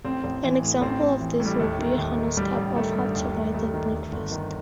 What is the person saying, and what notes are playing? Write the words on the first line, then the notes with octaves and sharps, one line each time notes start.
An example of this would be Hanno's cup of hot chocolate at breakfast.
A1 C4
A1
E3
A2
A1 C4
A1
E3
A2
G3
D#2 A3
D#3
D#2
D#3
A1 G3
A1
D#3 A3
G2
D#2
D#3
D#2 A3
D#3
G1
G1
D#3